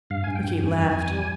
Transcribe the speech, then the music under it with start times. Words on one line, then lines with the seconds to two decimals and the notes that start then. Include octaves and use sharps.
Rickie laughed.
0.10 G2 F5
0.24 G2 G#5
0.36 G5
0.44 G2
0.61 F2 G#5
0.78 F2
0.94 F2
1.11 G3